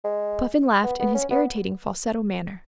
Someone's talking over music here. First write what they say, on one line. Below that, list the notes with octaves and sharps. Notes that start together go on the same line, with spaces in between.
Puffin laughed in his irritating falsetto manner.
G#3
B3
B3
C#4
B3